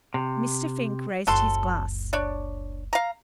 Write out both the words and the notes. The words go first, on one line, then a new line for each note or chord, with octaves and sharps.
Mr. Fink raised his glass.
C3
F#1 C#2 F#3 A4 C6
D4 C#5 D5
F5 A#5